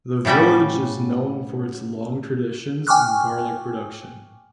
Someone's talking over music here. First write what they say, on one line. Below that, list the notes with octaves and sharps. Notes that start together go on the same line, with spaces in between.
The village is known for its long traditions in garlic production.
A2 C#3 G3 F#4 G5
G5 G#5 C#6 D6 F6 F#6